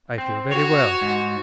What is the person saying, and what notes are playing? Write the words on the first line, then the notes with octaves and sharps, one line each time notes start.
"I feel very well."
C4
F#4 C#5
G#2